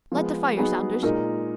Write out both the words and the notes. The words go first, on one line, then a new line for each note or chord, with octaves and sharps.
Light the fire, Saunders.
F3 G#3 B3
F#3 B3 D#4 G#4 B4
A#2 G#3 D#4 A#4